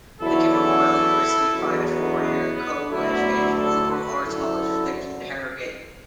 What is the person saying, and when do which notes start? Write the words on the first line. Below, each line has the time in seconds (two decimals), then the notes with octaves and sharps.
Lincoln Memorial University, a private four-year co-educational liberal arts college, is located in Harrogate.
0.20 E2 D3 F#3 E4 A4
0.54 E4 A4
1.55 E2 B2 F#3
1.89 B3
2.22 B3
2.56 B3
2.90 D2 D3 F#3 B3 E4
3.57 E4 A4
3.91 F#4 B4
4.24 F#2 D3 F#3 E4 A4